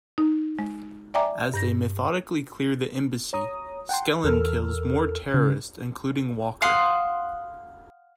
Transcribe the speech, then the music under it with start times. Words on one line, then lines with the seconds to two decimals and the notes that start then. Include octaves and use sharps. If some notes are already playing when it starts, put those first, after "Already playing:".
As they methodically clear the embassy, Skellen kills more terrorists including Walker.
0.18 D#4
0.59 G#3
1.14 D5 E5 G5 G#5 A#5 D6
1.54 G2 G6 A#6
3.33 C#5 A#5 D#6
3.89 F#5 G5 A5 C6
4.24 E2 A4 A#4 E6 F6
5.34 C#3
6.62 F5 F#5 C6 D#6